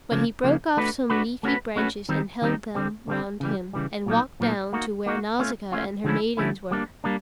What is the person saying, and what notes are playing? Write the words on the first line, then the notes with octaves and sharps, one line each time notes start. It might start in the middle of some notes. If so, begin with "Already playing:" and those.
But he broke off some leafy branches and held them round him, and walked down to where Nausicaa and her maidens were.
C#3 F3 A#3
C#3 F3 A#3
A3 D4 F#4 B4
A3 D4 F#4 B4
A3 C#4 F#4 B4
A3 C#4 F#4 B4
D#3 G3 C4 D#4
D#3 G3 C4 D#4
D3 G3 C4
D3 G3 C4
C#3 E3 G3
C#3 E3 G3
A#2 F#3 A#3 D#4
A#2 F#3 A#3 D#4
A#3 D#4 F#4
A#3 D#4 F#4
A3 C#4 F4
A3 C#4 F4
D3 F3 A3 C#4 E4
D3 F3 A3 C#4 E4
G3 A#3 D4
G3 A#3 D4